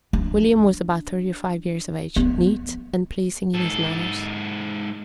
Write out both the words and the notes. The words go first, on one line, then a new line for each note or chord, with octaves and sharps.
William was about thirty-five years of age, neat, and pleasing in his manners.
D4
B3
G#2 A4